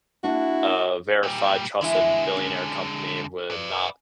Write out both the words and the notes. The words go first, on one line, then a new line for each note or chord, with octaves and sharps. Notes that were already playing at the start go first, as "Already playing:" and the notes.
uh, verified trusted billionaire company would not,
A#3 D4 E4 F#4 F#5
A#2 G3
D3 E3 G#3 E4 E5
C#4
B4 D5